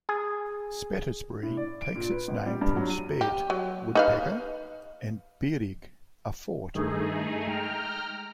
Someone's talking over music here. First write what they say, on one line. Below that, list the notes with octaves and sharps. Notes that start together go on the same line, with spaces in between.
Spetisbury takes its name from speht - woodpecker, and byrig - a fort.
G#4
A2
D5
D7
A#2
B4
G#1
G3
G2
F#3
D#7
G4
F#3
D#4 B4 F5
G2 D#3 A3 D#4 G#4
G#3 G5 A#5 F6